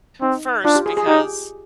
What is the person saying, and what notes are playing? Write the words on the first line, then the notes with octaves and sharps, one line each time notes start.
First, because
C4 D#4
D4 F4
G4
G#4
G#4
D#4 G4